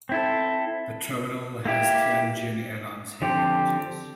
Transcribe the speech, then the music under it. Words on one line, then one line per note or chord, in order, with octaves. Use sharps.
The terminal has Tianjin Airlines headquarters.
C4 E4 A4
A#3 E4 G4
D3 F3 C4 G4